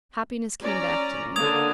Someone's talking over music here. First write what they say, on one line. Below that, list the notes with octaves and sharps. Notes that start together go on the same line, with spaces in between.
Happiness came back to me.
C#4 D5 A#5
D3 A#3 D#6 G#6 F7